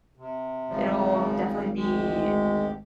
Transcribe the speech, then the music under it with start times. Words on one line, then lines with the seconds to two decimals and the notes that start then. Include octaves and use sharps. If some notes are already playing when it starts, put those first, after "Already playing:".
it'll definitely be
0.17 C3
0.70 G#1 C#3 F3 G3
1.77 D2 G#3 G4